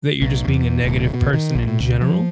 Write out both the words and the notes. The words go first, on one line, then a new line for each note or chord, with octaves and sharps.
that you're just being a negative person in general,
B1
E2
D1
B2
D#3
A#1
A2
C#2
F3